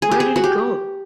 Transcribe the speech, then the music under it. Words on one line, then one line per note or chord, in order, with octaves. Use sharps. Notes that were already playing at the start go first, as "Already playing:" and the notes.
Where did it go?
G#4
G4
G#4
F#4
G4